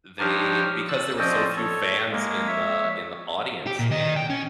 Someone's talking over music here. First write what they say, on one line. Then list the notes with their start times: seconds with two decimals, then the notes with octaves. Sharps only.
they because there were so few fans in the in the audience and,
0.19 F3 D4 D#4 G4 C#5 F6
0.88 E6 F#6 A6
1.18 F3 C4 C#4 C5 D5 D#5
1.57 A4 C#5
2.11 G#3 A#3
2.47 C#5 E5
3.67 G4
3.79 A#2
3.91 D#3 D#5
4.16 G5
4.30 C#4